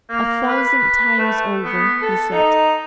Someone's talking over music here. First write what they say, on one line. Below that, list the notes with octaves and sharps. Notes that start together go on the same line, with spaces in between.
"A thousand times over," he said.
A#3
B4
A3
B3
A4
D#4